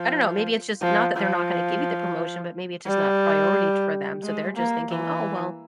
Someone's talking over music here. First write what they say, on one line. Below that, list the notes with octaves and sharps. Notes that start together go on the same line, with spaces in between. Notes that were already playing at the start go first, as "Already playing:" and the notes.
I don't know. Maybe it's just not that they're not gonna give you the promotion, but maybe it's just not priority for them. So they're just thinking, "Oh, well,
Already playing: F3
F3
F3
G3
G#3
A#3
E3